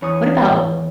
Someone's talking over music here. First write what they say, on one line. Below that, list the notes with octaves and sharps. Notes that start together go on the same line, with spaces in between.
what about,
E2 C#5 C#6 D#6